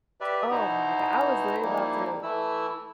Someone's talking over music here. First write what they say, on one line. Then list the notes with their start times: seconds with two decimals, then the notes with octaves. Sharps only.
Oh my god, I was literally about to
0.21 G4 B4 D5 E5
0.51 B2 B3 D#4 E4 C5 A#5
1.62 F3 G3 A#3 D#4 E4
2.23 E3 A3 E4 E6